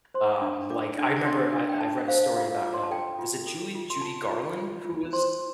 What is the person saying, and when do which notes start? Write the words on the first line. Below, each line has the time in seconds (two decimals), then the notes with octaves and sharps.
um, like, I remember I I read a story about um, was it Julie Judy Garland who was
0.14 C5 C6
0.42 D4
0.70 A4 D6
0.98 D4
1.25 D4 C6
1.53 D4
1.69 G5
1.81 A4 A5
2.08 C5 F5
2.36 F4 F5
2.64 F4 D6
2.74 C6
2.83 A5
2.91 A4 G5
3.19 F4
3.47 A4
3.75 F4
3.90 C6
4.01 F4 A5
4.30 F4
4.57 F4
4.85 F4
5.13 C5 C6